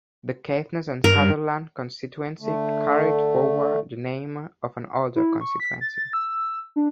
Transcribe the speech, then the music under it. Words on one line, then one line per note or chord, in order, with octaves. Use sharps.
The Caithness and Sutherland constituency carried forward the name of an older constituency.
G2 A#4
D3 A3
E4
C#6
B6
A6
E6
D4